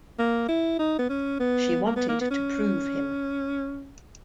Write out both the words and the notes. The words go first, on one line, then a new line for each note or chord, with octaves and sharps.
She wanted to prove him.
A#3
E4
D#4
B3
C#4
B3
A#3
B3
A#3
B3
C#4